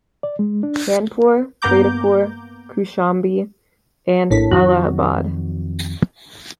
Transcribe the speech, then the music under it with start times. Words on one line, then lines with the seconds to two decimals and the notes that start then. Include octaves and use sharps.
Kanpur, Fatehpur, Kaushambi and Allahabad.
0.23 D5
0.39 G#3
0.63 D4
1.62 G2 A#3 B3 A#5 D6 G6
4.30 A#1 A2 B6
4.51 F2 D#3 F#3 F#4